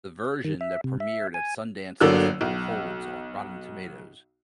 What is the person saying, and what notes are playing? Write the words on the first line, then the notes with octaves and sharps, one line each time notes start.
The version that premiered at Sundance festival holds on Rotten Tomatoes.
D#3
E5
C3
E5
G#5
G1 D3 F#3 A#3 D5 E6
B1